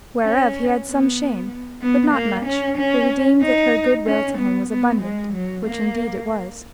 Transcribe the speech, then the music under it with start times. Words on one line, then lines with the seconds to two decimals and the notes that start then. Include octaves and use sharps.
Whereof he had some shame, but not much, for he deemed that her goodwill to him was abundant, which indeed it was.
0.22 C#4
0.86 B3
1.82 B3
2.14 A#3
2.46 C#4
2.78 C#4
3.41 D#4
4.06 C#4
4.38 B3
4.69 B3
5.02 G#3
5.33 F#3
5.66 A#3